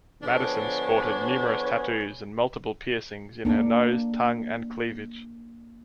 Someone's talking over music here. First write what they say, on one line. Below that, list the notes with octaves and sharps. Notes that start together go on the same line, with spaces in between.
Madison sported numerous tattoos and multiple piercings in her nose, tongue and cleavage.
D3 F3 B3 D4 G#4 B4 C#5
A#3 D4